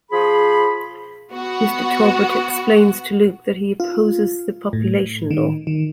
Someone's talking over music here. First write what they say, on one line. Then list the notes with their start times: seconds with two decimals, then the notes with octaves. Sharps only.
Mr. Talbot explains to Luke that he opposes the Population Law.
0.11 F3 G#4 B5
1.31 B3 F#4
3.80 F4
4.73 A2
5.31 D#3
5.67 D#3